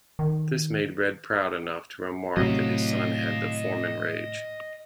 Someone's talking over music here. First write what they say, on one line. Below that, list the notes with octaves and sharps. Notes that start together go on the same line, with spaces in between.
This made Red proud enough to remark that his son had the Forman Rage.
D#3
A2 C3 F#3 D#5 F5